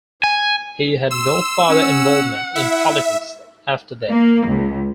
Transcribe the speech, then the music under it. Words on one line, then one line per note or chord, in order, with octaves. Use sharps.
He had no further involvement in politics after that.
G#5
C6 E6
C#4 F#5
E4 E5
A#3
C#2